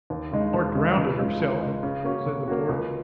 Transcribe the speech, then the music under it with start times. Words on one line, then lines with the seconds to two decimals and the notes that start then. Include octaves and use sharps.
"Or drownded herself," said the porter.
0.10 D#2
0.32 C#3 G#3 D#4
0.54 D#2
0.75 C#3 G#3 D#4
0.97 C#2
1.18 C#3 G#3
1.40 C#2
1.61 C#3 G#3
1.83 C#3
2.04 A#3 C#4 F#4
2.26 C#3
2.48 A#3 C#4 F#4
2.69 C#2